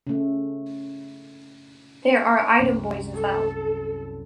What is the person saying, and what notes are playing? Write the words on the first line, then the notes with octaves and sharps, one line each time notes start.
There are item boys as well.
C#3 A3
C2 F#2
A4